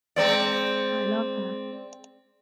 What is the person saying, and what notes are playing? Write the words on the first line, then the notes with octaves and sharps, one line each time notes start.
I love her.
G#3 C4 D5